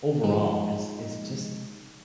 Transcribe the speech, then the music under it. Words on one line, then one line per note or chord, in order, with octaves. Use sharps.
overall, it's it's just,
F3 G#3 D#4